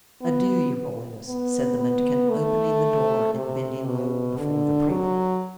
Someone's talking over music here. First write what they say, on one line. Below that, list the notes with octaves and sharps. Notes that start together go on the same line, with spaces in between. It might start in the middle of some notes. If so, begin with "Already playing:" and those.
"Adieu, your holiness," said the mendicant, opening the door and bending low before the prelate.
B3
B3
B3
A3
C3
B2
D3
F#3